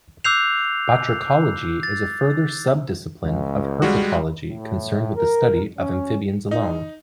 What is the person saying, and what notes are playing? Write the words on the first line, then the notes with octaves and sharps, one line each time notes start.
Batrachology is a further subdiscipline of herpetology concerned with the study of amphibians alone.
D6 E6 F#6 G6 C7 F7
A6
C#2
G3 G#3 F#4
A2
A#4
C#4
D#4